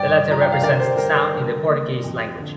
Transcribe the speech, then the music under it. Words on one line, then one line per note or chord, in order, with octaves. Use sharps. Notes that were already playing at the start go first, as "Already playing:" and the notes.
The letter represents the sound in the Portuguese language.
Already playing: G2 D5 G5
F3 A#5
G5
F5
D3 A#4 D5
G4 C5
G3 A#4
A#4
D3
A#3
F2
D3